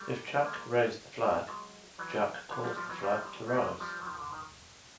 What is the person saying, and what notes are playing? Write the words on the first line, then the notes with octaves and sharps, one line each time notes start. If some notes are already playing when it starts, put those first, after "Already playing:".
If Jack raised the flag, Jack caused the flag to rise.
Already playing: G3 A3
G#3 A#3
F#3 G#3
E3 F#3
D3 E3
F3 G3
F3 G3
E3 F#3
F3 G3
A3
F#3 G#3
F3 G3
F#3
D#3 F3
D3
D#3